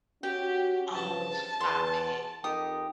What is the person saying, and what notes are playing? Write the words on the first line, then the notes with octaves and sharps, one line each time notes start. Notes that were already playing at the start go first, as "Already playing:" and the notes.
Oh, stop it.
C#4 F#4 G4 G5
G2 C#3 F3 A5
E2 C6 C#6
F2 D#4 G4 A#4 G5 D#6